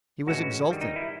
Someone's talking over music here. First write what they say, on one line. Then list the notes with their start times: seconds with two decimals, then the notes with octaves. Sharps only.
He was exultant.
0.27 A2 E3 G#3 C#4 F#4
0.68 G2 D#3 G3
0.81 D#4
0.96 E4